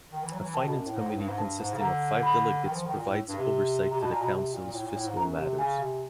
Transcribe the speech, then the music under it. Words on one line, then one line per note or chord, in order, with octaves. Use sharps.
A Finance Committee consisting of five Delegates provides oversight to the Council's fiscal matters.
D#3
E3
F#3
E3
D#3 A5
B2
F#2
A2
G#2
A2
G2
G#2
G2 A5
G#2
C#3
D3 A#5
B5
D#3
E3
F3
D#3
A#2
A2
G2
C3
C3 A#5
B2 A5
A#2 A#5
B2 A#5
C3
A#2
A#2
A2
A#2
A2
G#2
F#2 A#5
C3
C#3 G#5
C3